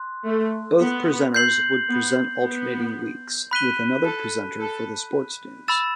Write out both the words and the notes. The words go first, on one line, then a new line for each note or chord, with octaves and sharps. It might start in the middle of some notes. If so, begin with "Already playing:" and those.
Both presenters would present alternating weeks, with another presenter for the sports news.
Already playing: C6 F#6
A3
B3
G6 C7 F#7
B3
B3
B5 F#6 B6 D#7 G7
A4
A4
B5 E6 A6 E7